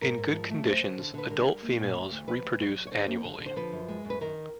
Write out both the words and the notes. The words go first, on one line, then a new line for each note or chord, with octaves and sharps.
In good conditions, adult females reproduce annually.
G#2 A#4
G#2
F3
A3
F#2 C5
D3
D3
D3 B4
G3 A#4
G3
A#3
A#2
D2
D2
F3 B4
D2
F#3
F#3
C#5
D3 C5
A#3
D3
D3
C5
F3 B4
F#2
G#3
F#2
B4
D#3 A#4